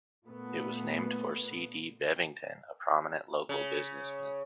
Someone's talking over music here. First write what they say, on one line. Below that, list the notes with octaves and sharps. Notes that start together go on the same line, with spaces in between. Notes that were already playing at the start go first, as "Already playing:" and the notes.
It was named for C. D. Bevington, a prominent local businessman.
A#2 A3 B3
C#3